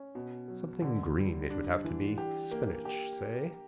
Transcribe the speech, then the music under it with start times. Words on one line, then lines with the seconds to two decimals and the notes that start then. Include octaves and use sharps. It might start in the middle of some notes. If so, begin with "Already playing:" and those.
Something green it would have to be: spinach, say.
Already playing: C#4
0.15 B2
0.48 F#3
0.82 D3
1.16 G3
1.50 D4
1.84 E3
2.18 G4
2.51 A#3
2.85 G4